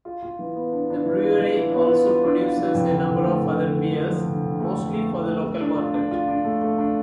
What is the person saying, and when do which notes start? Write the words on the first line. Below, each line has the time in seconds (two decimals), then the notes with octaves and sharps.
The brewery also produces a number of other beers, mostly for the local market.
0.05 F4
0.23 F4
0.39 E3
0.55 B3
0.73 D4
0.90 D4
1.06 E3
1.24 F4
1.40 E3
1.57 E3
1.74 B3
1.90 F4
2.07 F4
2.24 D4
2.41 F4
2.57 E3
2.75 F2
2.91 D3
3.08 D3
3.25 A3
3.42 D3
3.59 D3
3.76 D3
3.93 F3
4.09 F3
4.26 D3
4.43 D3
4.60 A3
4.77 F2
4.94 A3
5.10 A3
5.26 A3
5.43 A3
5.60 D4
5.77 F4
5.94 D4
6.11 F4
6.28 D4
6.45 A3
6.62 A3
6.78 D4